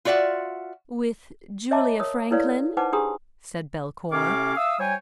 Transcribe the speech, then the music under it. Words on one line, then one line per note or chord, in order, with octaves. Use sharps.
"With Julia Franklin," said Belcour.
F4 F#4 D5 E5 F#5
C#5 D#5 E5 A5 A#5 D6
A#4 C#5 D#6
E4 A4 B4 C#5 D5 F5
D#4 B4 C5 F#5 A5 D6
D4 G4 G#4 A#5 C6 D#6
A2 C3 C#4 C#5 F5 D6
E5 F5 D#6 E6
F3 G3 C#5 G5 G#5